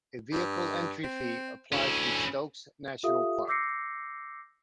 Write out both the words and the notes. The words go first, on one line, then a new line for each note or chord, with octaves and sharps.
A vehicle entry fee applies to Stokes National Park.
G2
C4
D2 C#4 E4
F4 G4 A4 E5 F5 D#6
D6 E6 G6 A#6 C7 C#7